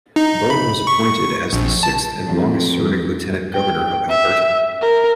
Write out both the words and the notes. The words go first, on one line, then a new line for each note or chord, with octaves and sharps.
Bowen was appointed as the sixth and longest-serving Lieutenant Governor of Alberta.
D#4
B5
C#6
A#1
A5
F2
G5
E5
A#4